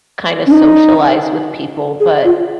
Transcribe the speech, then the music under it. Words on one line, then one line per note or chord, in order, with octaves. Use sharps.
kind of socialize with people, but
C#4
D#4
G#4
F4